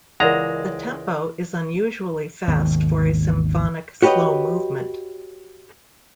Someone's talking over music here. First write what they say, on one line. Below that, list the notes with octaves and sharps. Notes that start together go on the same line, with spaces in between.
The tempo is unusually fast for a symphonic slow movement.
C#2 E3 G#3 A#4 D5 F#5 A#5
G#1 D#2 B2
F#4 G4 B4 C#5 D#5